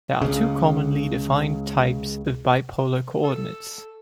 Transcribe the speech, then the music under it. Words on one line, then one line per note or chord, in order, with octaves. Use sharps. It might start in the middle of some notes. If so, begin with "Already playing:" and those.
There are two commonly defined types of bipolar coordinates.
C#2 C#3
A4